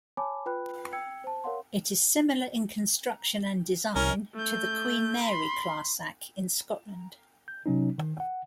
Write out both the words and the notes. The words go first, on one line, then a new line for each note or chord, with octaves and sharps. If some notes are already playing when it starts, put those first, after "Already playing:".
It is similar in construction and design to the Queen Mary Clarsach in Scotland.
C#5 G#5 A5 B5 D6
F4 B4 G5 B5 F#6
G5 E6 G#6 C#7
C5 A5
A#4 C#5 F5 F#5 C6
C2 C#4 A#4
A3 G6
B5 C6
G6
C3 F#3 C#4 D#4
D#3
F#5